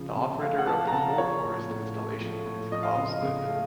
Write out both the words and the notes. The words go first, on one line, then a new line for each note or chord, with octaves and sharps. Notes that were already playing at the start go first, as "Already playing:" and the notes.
The operator of the "For Forest" installation is Klaus Littmann.
Already playing: C#3 F3
C#3
A3 F5
F#5
F3 A5
A#5
C#3 A5
F3 C#5
A2
A2
A3
F3
A2
F3 D#5
F5
C#3 D#5
C#3
A3